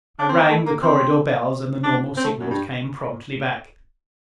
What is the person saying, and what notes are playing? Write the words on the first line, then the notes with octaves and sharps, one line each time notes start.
I rang the corridor bells, and the normal signals came promptly back.
D4
C4
A#3
A3
A#3
C4
D4
C4
A3
F#2
G2